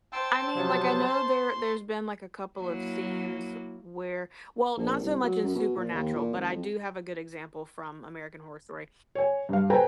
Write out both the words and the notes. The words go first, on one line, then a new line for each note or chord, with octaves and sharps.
I mean, like I know there there's been, like, a couple of scenes where well not so much in Supernatural, but I do have a good example from American Horror Story.
C5 G5 A5 C6 E6
C3 F3 F#3
C6
F#3 A#3 E4
A#1
C2
F#3
F#2
B2
A#2
D#2
A#2
G#1
F2
C#5 G#5
G2 F5
A4 B4 C5 G5 G#5 A#5